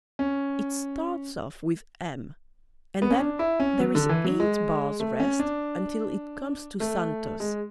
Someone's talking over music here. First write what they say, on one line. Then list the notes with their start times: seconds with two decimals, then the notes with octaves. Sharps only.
It starts off with "M" and then there is eight bars rest until it comes to Santos.
0.19 C#4
3.02 B3
3.10 C#4
3.19 D4
3.39 E4
3.60 C#4
3.80 F#3
3.95 D3
4.09 E3
4.24 F#3
4.40 G#3
5.00 A3
5.20 C#4
5.39 D4
6.80 A3
7.40 G#3